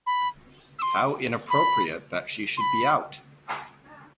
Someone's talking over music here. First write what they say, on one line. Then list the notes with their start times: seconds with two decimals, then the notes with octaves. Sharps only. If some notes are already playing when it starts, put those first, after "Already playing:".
How inappropriate that she should be out!
0.06 B5
0.78 E6
0.81 C6
1.50 B5
2.57 C6
2.60 B5